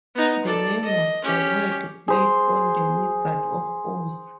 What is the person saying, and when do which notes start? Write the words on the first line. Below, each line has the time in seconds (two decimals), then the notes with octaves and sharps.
The name was a word play on The Wizard of Oz.
0.15 B3 D#4
0.44 A4 D5
0.84 D#5
1.23 C#4 G4
2.08 G#4 C5